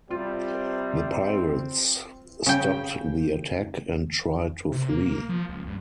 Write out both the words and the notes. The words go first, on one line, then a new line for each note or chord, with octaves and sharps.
The pirates stopped the attack and tried to flee.
C3 G3 C4 F4
C#3 G5
C3
A#3
F3
C#2
G2